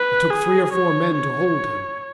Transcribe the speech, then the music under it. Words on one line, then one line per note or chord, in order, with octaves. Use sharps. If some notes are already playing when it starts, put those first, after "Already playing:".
It took three or four men to hold him.
Already playing: B4
G#4
C#5
C#5